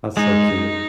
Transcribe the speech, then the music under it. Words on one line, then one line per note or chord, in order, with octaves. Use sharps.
That's so cute.
G#3 D#4